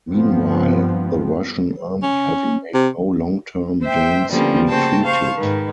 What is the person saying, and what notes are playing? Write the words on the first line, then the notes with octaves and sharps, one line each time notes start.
Meanwhile, the Russian army having made no long term gains retreated.
G2 F3 B3 C4
C#4
C3
C5 E5 G5
D3 F3 G3 A#3 B3 C#4
C#3 A#3 F#4 C5 G5 A5
C5 F5 A5 C#6
G#2 D#3 B4